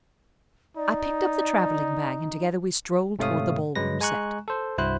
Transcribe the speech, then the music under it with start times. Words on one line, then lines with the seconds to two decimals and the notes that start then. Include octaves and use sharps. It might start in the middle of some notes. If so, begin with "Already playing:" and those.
I picked up the traveling bag and together we strolled toward the ballroom set.
0.77 D#4 D5
3.19 G#2 C3 A3 C#5 F5 D#6
3.75 G2 F#3 G#3 B4 A#6
4.00 G#3 G#5 A#5 C#6 F#6
4.48 A4 C5
4.78 C2 G2 E4 F#4 C5 F#6